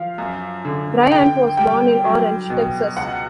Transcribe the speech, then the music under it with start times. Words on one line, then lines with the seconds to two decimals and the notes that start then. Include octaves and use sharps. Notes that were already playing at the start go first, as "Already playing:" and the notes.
Bryant was born in Orange, Texas.
Already playing: F3 F5
0.18 F#2
0.65 D3
1.11 D3 G5
1.57 G3 G5
2.04 F#3
2.50 B2
2.97 C#2 F#5